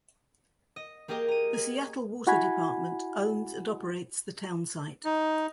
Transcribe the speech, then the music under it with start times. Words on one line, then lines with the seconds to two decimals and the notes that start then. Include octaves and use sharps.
The Seattle Water Department owns and operates the townsite.
0.76 D#5
1.08 A#3 G4 G#4 A#4 D#5 G5
1.28 A#5 D#7
1.53 G#5
2.27 E4 F#4 F#5 G#5 B5 G#6
5.05 D#4